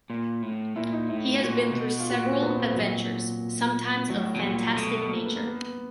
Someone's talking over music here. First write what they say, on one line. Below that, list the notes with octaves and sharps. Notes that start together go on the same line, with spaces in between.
He has been through several adventures,sometimes of fantastic nature.
A#2
A2
A#2 E4
D#4
A2 E4
A#2 F#4
C3
B2
F4
A#2 F#4
C4
B3
C4
F#3
A2 F#3
B2 F#3
A#2 G3
B2 A3
A3
A#3
B3
A#3
B3